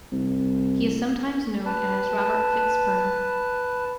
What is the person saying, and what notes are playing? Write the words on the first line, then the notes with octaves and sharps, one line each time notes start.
He is sometimes known as Robert FitzPernel.
C2
B4 A5